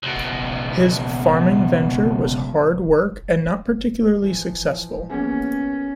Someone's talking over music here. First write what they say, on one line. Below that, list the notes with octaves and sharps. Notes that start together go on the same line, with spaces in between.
His farming venture was hard work and not particularly successful.
C#2 B2
E3 F3
A#3 B3 C#4 G#4